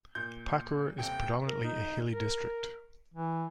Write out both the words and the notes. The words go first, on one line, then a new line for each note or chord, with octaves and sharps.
Pakur is predominantly a hilly district.
A#2 G6
D#1 C3 G5
A#4
D#4
A#4
E3